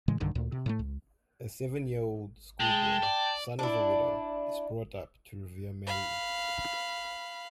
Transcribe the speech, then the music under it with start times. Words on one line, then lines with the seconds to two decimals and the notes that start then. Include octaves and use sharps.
A seven-year-old school-boy, son of a widow, is brought up to revere Mary.
0.08 A2 C#3 E3 G#3
0.20 B1 G2 D3 D#3
0.35 D2 A#2
0.52 C3
0.66 A2 F#3 A3
0.79 C#2
2.60 G#3 G5 A5
3.03 D5
3.59 D4 E4
5.86 F5 B5